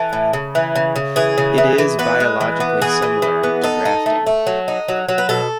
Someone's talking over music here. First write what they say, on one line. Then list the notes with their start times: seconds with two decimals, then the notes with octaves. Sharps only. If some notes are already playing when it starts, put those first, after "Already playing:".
It is biologically similar to grafting.
Already playing: E3 A4
0.13 A2
0.33 C#3
0.55 E3
0.75 C#3
0.96 C#3
1.16 E3 G#4
1.38 C#3
1.58 E3
1.78 E3
1.99 B3 B4
2.20 G#3
2.41 E3
2.60 B3
2.82 E3 G#4
3.02 E3
3.22 E3
3.43 B3
3.63 D#4 A4
3.85 D#4
4.06 A3
4.26 A3
4.47 F#3
4.68 D#4
4.88 F#3
5.08 F#3
5.18 B4
5.29 B2 A4